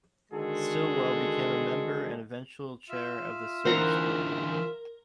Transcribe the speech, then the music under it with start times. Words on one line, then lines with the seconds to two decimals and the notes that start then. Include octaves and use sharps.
Stilwell became a member and eventual chair of the Surrey School Board.
0.32 D3 D#3 G#3 F#4 G#4 A4
2.89 F4 E5
3.65 D3 E3 A#4 C5 F#5 A#5